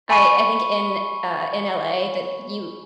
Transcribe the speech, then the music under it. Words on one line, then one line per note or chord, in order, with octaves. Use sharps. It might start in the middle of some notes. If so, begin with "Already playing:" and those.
I I think in uh, in LA that you
G#5 B5 C#6 D#7